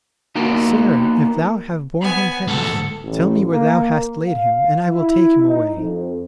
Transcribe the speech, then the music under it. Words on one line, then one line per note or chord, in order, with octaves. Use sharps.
"Sir, if thou have borne him hence, tell me where thou hast laid him, and I will take him away."
A#3 B3 D#4 F#4
B3 G#5
D2 G#2 A4
A1
A#3
F5
E4
D#4
F2